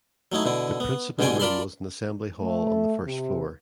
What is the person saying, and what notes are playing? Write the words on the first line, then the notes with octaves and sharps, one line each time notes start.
The principal room was an assembly hall on the first floor.
F#3 A3 D#4 E4
B2 D3 E4
B3
G2 B2 D3 G3 G5 G#5
F4 A#4 D5 A5 B5 C6
A3
C3